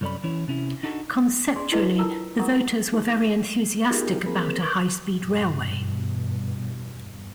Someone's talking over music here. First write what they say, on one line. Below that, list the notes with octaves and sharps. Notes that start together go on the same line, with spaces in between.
Conceptually, the voters were very enthusiastic about a high speed railway.
C2 F#2 C#4 A4 D5 B5
E3 C#4 E4 C#5
C3 C#4 E4
D4 D#4 F#4 A4
G#4 D5 G#5 C6
D4 E4 G#4 A4 B4 D#5
F4 A4 A#4 A5 A#5 E6
G4 G#4 A#4 F#5 A#5 D#6
D#4 G#4
B3 D#4 F4 G4 G#4 A#4
F3 A#3 C4 G#4 A#4 B5
A#4 B4 D6
E2 G2 B2